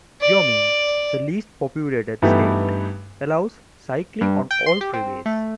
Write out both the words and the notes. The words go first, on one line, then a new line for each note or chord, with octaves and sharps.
Wyoming, the least populated state, allows cycling on all freeways.
D5
G2 E3 A3 B3 D#4 G4
G2
G5
C6
G4
C4
A3